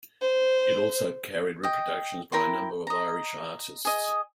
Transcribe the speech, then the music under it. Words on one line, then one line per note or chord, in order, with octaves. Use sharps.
It also carried reproductions by a number of Irish artists.
C5
D#5 G5
E4 A#4 G5 C6
D#5 A#5
G#4 D#5